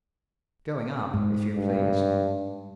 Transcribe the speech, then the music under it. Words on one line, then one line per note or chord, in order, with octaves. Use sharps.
"Going up, if you please."
G#2
G2